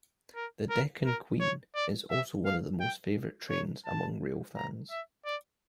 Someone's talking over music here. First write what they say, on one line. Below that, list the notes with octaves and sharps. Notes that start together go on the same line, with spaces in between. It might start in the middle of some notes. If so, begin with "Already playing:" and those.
The "Deccan Queen" is also one of the most favourite trains among railfans.
A#4
A#4
A#4
C#5
D5
E5
F5
G5
C#5
A5
A#5
E5
D5